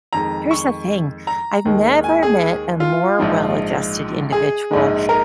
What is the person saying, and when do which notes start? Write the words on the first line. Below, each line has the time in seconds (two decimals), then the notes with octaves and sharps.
here's the thing, I've never met a more well adjusted individual.
0.13 F2 D#3 G#3 A#5
0.51 C#6
1.27 A#5
1.65 D#2 D#3 G#3
2.04 G#5
2.23 G#4
2.80 F4
3.19 A#1 G#2 F3 G#3
4.32 G#4
4.71 A#1 G#2 G#3
5.09 A#4